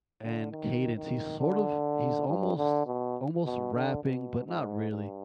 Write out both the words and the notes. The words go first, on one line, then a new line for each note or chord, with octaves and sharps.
and cadence, he's sort of he's almost almost rapping, but not really.
D3
D#3
D#3
D3
G2
D3
B2
B2
D3
B2
G#2
G2